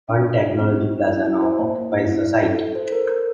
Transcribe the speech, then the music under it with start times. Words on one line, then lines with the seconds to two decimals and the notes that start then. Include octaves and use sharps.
One Technology Plaza now occupies the site.
0.09 D4
0.26 D4
0.42 E4
0.59 C4
0.76 G4
0.92 E4
1.09 E4
1.26 E4
1.42 C5
1.59 A#3
1.76 A#3
1.92 E4
2.09 E4
2.25 E4
2.42 A4
2.58 A4
2.75 C5
2.92 A#4
3.09 A#4